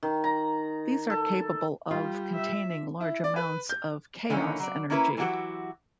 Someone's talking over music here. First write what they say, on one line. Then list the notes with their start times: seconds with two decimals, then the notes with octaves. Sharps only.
These are capable of containing large amounts of chaos energy.
0.03 D#3
0.24 A#5
1.10 A4
1.91 G3 F4
2.34 E5
3.00 E4
3.24 D5
3.36 B4
3.69 G6
4.30 D3 E3 A#3 C#4 D#4
4.60 F#3 D5
4.90 A#3 C#4 D4 E4 A#4 B4
5.17 E3 F#3 E4 F#4 G4 F#5